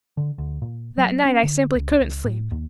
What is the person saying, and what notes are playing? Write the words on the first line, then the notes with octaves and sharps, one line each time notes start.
That night I simply couldn't sleep.
D3
D2
A#2
F#3
C#4
D3
C#2
C#2
A2
D#2